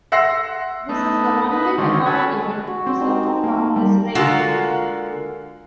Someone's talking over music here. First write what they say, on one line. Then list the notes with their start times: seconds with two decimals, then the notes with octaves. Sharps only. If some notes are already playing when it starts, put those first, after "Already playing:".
This is the only recorded event preserved from his reign.
0.12 E5 F#5 C6 E6 A#6 C7
0.89 A3 B3 D#4
1.51 D#4 B4
1.78 D3 D#3 G#3 C4 C#4
2.06 C#4 F#4 A4 G#5 B5
2.67 F#4
2.87 C4
3.00 G#3 D#4 G4
3.23 A4 C5
3.44 A#3
3.76 G3
4.15 D3 G#3 A#3 F4 F#4